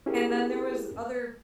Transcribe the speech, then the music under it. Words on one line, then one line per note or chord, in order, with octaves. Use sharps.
and then there was other
C#4 E4 G4 G#4 A#4